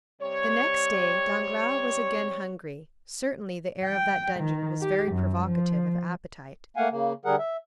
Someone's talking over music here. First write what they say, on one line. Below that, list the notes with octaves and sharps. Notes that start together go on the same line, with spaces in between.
The next day Danglars was again hungry; certainly the air of that dungeon was very provocative of appetite.
C3 G3 C4 C#5
G5
D#3
G4
F#2
F3
A3 A#3 F5 F#5 G#5
C#3 A#3
D3 G3 G#4 A#4 F#5
E5